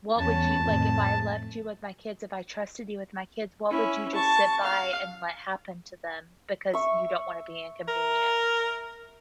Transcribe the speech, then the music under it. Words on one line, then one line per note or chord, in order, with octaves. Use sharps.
what would you like, if I left you with my kids, if I trusted you with my kids, what would you just sit by, and let happen to them because you don't want to be inconvenienced?
E2 B3 C#4 A5
F2 A2 D#3
A3
C#4 E4
A5 C#6
F5
E5 C#6
A#4